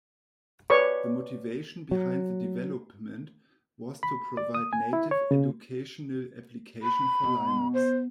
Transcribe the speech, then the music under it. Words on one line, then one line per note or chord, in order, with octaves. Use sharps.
The motivation behind the development was to provide native educational application for Linux.
B4 C#5 D5 C#6
F#3
B5
D5
D#6
G#5
E4
C#5
C#3
B5
B2
C5